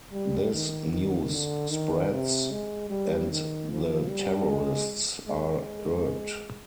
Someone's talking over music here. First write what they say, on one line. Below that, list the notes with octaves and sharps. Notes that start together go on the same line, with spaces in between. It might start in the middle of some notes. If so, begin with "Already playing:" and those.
This news spreads, and the terrorists are irked.
G3
D#3
D#3
D3
D#3
C3
G#3
G3
D#3
F3
G3
G#3
G#3